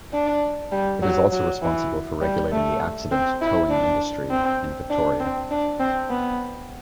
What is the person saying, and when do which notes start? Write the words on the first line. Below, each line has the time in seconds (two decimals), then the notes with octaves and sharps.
It is also responsible for regulating the accident towing industry in Victoria.
0.13 D4
0.72 G3
1.02 F#3
1.32 F#3
1.62 E3
2.21 G3
2.52 A3
3.12 C4
3.42 E4
3.70 D4
4.30 C4
4.90 D4
5.20 C4
5.51 D4
5.80 C4
6.10 B3